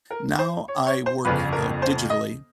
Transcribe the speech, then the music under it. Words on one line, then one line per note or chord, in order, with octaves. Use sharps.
now I work, uh, digitally
A#4
C5
C#5
C#5
C5
G1 F2 C#3 B4
A#4
C5
D#5